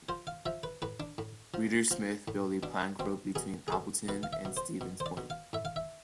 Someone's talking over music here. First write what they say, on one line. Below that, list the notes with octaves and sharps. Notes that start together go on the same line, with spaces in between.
Reeder Smith built the plank road between Appleton and Stevens Point.
F3 C5
F5
F3 E5
B4
A2 B4
D4
A2
F3
F3
A2
B2 D4
B2 C4
B2 G#4
G#4
B2 A4
B2 B4
F5
E5
B2
C5
B2
C5
D5
B2
F5
A2 E5
F5
E5